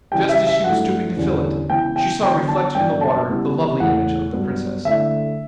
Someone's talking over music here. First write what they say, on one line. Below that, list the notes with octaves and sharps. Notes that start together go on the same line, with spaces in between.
Just as she was stooping to fill it, she saw reflected in the water the lovely image of the Princess.
C#3 E3 G3 C#4 E4 G5
E5
E5
G2 F#3 A3 E4 F#5
E2 D3 G3 C#4
C#3 E3 B3 E4 G5
G5
D3 F#3 B3 D4 G5
A5
G2 F#3 B3 D4 G5
A5
C#3 G3 B3 E4
E2 C#3 E3 A3 C#4 F#5
G2 F#3 B3 D4
D3 A3 E4 E5